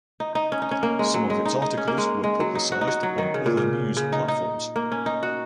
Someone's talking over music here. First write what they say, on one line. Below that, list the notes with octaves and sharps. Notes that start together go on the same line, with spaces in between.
Some of its articles were publicized on other news platforms.
D#4
D#4
C#4
D#4
C#4
A#3
G#3
F#3
G#3
D#4
D#4
C#4
A#3
G#3
G#3
F#3
D#4
F#4
D#4
F#4
F#3
D#3
C#3
A#2
C#3
C#3
D#4
D#4
A#3
C#4
D#4
F#4